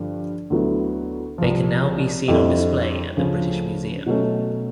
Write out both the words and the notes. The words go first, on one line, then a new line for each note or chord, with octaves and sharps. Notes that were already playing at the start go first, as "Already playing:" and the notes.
They can now be seen on display at the British Museum.
Already playing: G2 D3 F3
D2 D3 F#3 B3 E4
C2 C3 F3
F2 D3 G3 C4 E4
D2 C#3 F3 A3 C#4
B2 F#3 A3 C#4